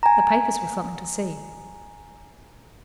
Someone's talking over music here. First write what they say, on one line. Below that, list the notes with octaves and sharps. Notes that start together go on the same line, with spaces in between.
The papers were something to see.
G#5 A#5